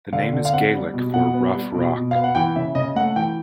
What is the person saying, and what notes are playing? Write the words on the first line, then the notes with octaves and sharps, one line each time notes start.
The name is Gaelic for "rough rock".
D3 F5
D3
F5
C4 F#5
G3
B2
B2 F#5
B3
G3
B2
B2
B3 F5
F#5
E3 G5
C#3 E5
C#3 D#5
A3 F#5
E3 G5